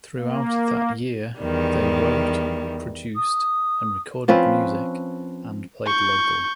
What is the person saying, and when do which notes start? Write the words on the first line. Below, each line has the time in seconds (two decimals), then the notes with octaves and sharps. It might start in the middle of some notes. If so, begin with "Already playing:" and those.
Throughout that year they wrote, produced, and recorded music, and played locally.
0.18 A#3
1.39 E2 D#3 G3
3.16 D#6
4.28 F3 C4 C#4 B4
5.86 C#6 G6